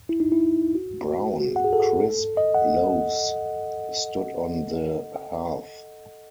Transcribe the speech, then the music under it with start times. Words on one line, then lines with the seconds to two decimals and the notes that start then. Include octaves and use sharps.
Brown, crisp loaves stood on the hearth.
0.09 E4
0.20 D#4
0.32 E4
0.75 F#4
1.08 F#4
1.40 F#4
1.48 G#4
1.56 F#5
1.64 G#4
1.73 A4
2.37 D#5
2.54 F#5